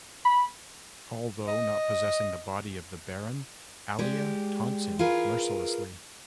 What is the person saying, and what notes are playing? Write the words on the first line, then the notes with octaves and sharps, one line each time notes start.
Although not possessing the body of the Baron, Alia taunts him mercilessly.
B5
D#5
G#3 G4 D5
F4 G#4 A#4 B4